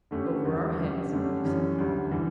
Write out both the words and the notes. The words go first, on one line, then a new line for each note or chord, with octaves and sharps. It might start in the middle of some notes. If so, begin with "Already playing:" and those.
"Over our heads," he said calmly.
D3 A3 C#4 G4
E2 D3 G3
D3 G3 C#4 G4
F#2 D3 A3 C#4 G4
F#2 E3 G3 C#4
D2 D3 G3
E3 G3